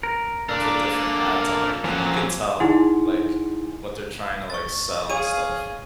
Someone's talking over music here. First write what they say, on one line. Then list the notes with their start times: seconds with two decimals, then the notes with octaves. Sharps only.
put different ads on there. You could you could tell, like, what they're trying to, like, sell and stuff.
0.03 A#4
0.49 A#3 D4 A4 A#4 D5
1.84 A#2 F3 F#3 C4 C#4
2.60 D#4 E4 G#4 F#5 G#5 C6
4.50 C#6 A6
5.10 G#4 C#5 F5 D#7